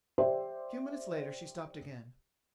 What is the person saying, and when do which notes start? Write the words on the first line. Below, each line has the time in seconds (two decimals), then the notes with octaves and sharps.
A few minutes later she stopped again.
0.18 G4 C5 D5 E5